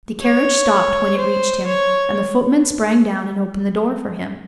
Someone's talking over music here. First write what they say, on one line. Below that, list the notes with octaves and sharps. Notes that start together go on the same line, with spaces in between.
The carriage stopped when it reached him, and the footmen sprang down and opened the door for him.
C#5
C5
C#5